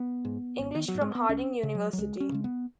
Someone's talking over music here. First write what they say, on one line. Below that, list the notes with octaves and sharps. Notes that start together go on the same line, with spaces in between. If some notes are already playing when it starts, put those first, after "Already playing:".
English from Harding University.
Already playing: B3
G#2
G#1
D#3
F#3
G#2
G#3
B3
C#2 C#4
C#3
F#3
F#3
C#2 G#3
C#4
C#3 G#3
B3